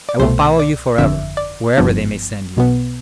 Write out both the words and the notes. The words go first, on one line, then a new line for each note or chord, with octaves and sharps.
I will follow you for ever, wherever they may send you.
D5
C2 B2 A3 C5
D5
G1 F2 D3 E5
D5
G1 G2 F3 B3
B1 B2 B3